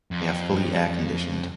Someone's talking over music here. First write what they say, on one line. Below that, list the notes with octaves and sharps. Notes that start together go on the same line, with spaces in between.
They are fully air-conditioned.
F2